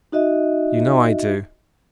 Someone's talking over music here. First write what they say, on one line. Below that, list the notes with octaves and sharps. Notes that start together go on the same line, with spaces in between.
"You know I do."
D#4 F#4 D#5 E5